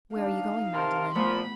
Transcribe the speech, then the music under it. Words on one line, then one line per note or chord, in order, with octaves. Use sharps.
"Where are you going, Magdalen?"
D4 D#4 F5
C3 A#4 A5 C6
A#2 F3 A3 B3 B5